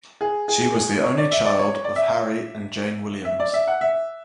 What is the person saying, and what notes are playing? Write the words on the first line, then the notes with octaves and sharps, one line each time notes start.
She was the only child of Harry and Jane Williams.
G#4
G#4
G#4
G#4
C#5
D5
E5
D5
C#5
D5
E5
E5
D5
E5
F#5
E5